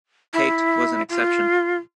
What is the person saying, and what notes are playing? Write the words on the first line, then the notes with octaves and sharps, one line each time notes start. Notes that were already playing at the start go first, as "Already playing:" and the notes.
Paete was an exception.
E4
F4